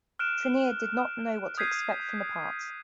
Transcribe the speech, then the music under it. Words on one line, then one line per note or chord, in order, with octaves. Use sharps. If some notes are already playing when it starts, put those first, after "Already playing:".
Trinneer did not know what to expect from the part.
F6 F#6 D7 E7
D#6 G6 G#6 B6 C7 D#7